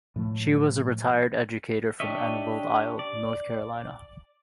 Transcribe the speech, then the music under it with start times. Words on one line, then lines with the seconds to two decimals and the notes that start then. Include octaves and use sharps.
She was a retired educator from Emerald Isle, North Carolina.
0.16 A2 F3 A3
2.00 D4 G4 C#5 D#5 E5
2.99 D5